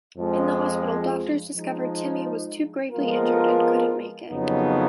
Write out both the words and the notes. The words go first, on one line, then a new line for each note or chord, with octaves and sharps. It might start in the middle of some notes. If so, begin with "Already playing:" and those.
In the hospital doctors discovered Timmy was too gravely injured and couldn't make it.
F2 F3 G#3
F3 G#3 D#4
F3 G#3 B3 F4 A#4
F2 C#3 F#3 B3 D#4